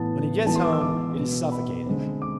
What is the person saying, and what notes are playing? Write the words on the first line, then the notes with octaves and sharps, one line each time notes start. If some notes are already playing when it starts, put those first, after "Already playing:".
When he gets home it is suffocated.
Already playing: A2 E3 B3 A5
E3 G#3 B3 A5
C6
D6
E6
D6
B2 B3
B5
D3 G#3 C4
D6